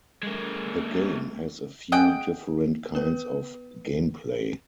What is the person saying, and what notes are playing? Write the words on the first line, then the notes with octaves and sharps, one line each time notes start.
The game has a few different kinds of gameplay.
G#3 A#3
G#4 D#5 F#5 G5
B3 B4